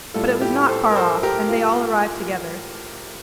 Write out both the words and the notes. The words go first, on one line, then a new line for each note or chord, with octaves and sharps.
But it was not far off and they all arrived together.
A2 G3 F4 A4
E4 G4
A4 C5
A#4
A4 C5
G4 A#4
F4